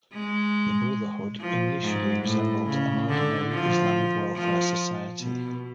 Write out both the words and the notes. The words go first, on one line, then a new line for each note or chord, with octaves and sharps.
The Brotherhood initially resembled an ordinary Islamic welfare society.
G#3
F3
G#2
A2
C#3
D3
F3
F3
B2